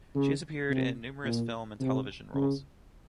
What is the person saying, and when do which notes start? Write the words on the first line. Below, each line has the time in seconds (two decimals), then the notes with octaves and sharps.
She has appeared in numerous film and television roles.
0.15 C#3
0.70 C3
1.25 A#2
1.80 C3
2.34 C#3